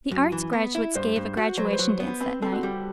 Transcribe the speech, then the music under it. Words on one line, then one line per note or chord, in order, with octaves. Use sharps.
The Arts graduates gave a graduation dance that night.
F#2
E3
B3
E4
G2 C5
G2
F#4
F#3 C5
B4
C5
F#3
B3
C4 B4
C4 A4
F#4
G3 G4